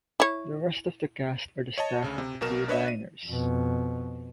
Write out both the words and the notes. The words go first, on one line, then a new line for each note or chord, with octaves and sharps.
The rest of the cast are the staff at the two diners.
E4 C#5
C#5 D#5 A5
D2 C#3
C3
B1 B2 A#4 E7
D4 B4 C#5 D#5 E5
D#7
F2 B2